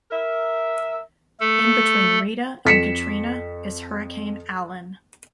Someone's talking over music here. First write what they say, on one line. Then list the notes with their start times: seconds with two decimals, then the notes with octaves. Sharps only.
In between Rita and Katrina is Hurricane Allen.
0.11 A#4 E5
1.40 A3 A4
2.65 F2 B6 C#7 E7